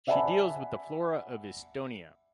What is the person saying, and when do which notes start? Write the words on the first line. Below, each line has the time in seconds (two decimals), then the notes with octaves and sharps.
She deals with the flora of Estonia.
0.07 D5 E5 F#5 G#5 A5 B5